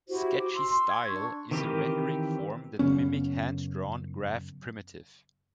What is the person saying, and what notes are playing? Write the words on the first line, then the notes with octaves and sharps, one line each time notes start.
Sketchy style is a rendering form that mimic hand-drawn graph primitive.
E4 F#4 G4 C5
D6
C6 E6
G#6
D4 C#6
D#3 E3 C4 G4 A#4 B4
F#2 C#3 B3 C#4